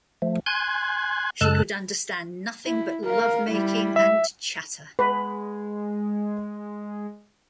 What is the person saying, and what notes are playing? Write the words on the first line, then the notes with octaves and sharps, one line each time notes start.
She could understand nothing but love-making and chatter.
F3 A3
G#5 C6 F#6 G#6
F#2 C#3 G#3 A4 A5 F#6
E4
A#4 F5
G3 E4
E5
G#3 B4